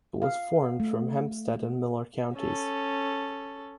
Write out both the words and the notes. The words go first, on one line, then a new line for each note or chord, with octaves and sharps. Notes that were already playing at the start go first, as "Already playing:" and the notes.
It was formed from Hempstead and Miller Counties.
F5
A3
C#4 A4